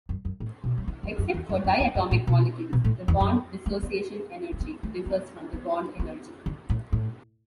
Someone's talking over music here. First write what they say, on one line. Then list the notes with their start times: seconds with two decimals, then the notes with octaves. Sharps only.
Except for diatomic molecules, the bond-dissociation energy differs from the bond energy.
0.09 F#2
0.25 F#2
0.40 A2
0.64 B2
0.78 F#3
0.88 E3
1.03 F#2
1.18 F#2
1.34 E2
1.49 F#2
1.64 F#2
1.80 E2
1.95 F#2
2.11 A2
2.27 B2
2.73 B2
2.84 A2
3.08 E2
3.20 F#2
3.66 A3
3.83 B3
4.52 A3
4.60 B3
4.83 A3
5.06 B3
5.53 B3
5.99 B3
6.46 D3
6.70 A2
6.92 A2